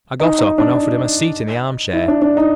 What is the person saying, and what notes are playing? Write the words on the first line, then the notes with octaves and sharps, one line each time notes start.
I got up and offered her my seat in the arm-chair.
D#4
D#4
D4
D#4
E4
D4
D4
D#4